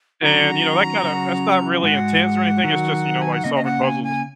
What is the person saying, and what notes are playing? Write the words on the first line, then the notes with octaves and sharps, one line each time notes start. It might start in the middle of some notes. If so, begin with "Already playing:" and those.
And, you know, that kinda that's not really intense or anything, it's just, you know, like, solving puzzles.
D#3 F#3 C#4 F#4 A#5
C#3 F#3 C#4 F#4
G#2 G#3 F#4 F#5
D#3 F#3 D#4 F#4
G#5
F#5
C#3 A#3 C#4 D#5
D#5
F#5
G#5
G#5